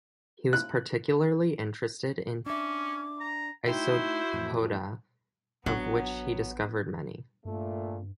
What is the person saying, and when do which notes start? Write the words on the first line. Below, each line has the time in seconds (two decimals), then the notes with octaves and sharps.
He was particularly interested in isopoda, of which he discovered many.
0.53 F#6
2.46 C#4 D4 E5 D6
3.20 A#5
3.67 A3 D#4 E4 F#4 C5 G5
4.33 F2 A2 E3
5.66 A1 F#3 B3 D4
7.45 G2 A#2 A3